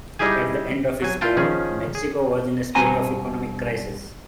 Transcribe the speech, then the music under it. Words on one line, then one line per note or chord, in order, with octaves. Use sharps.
At the end of his term, Mexico was in a state of economic crisis.
G3 D#4 E4 G4 G#4 G#5
F#3 G#5
E4 F4 G5 A5
D#3 F3 C#4 G#4
G#4
G2 B2 C4 C5 G#5 A#5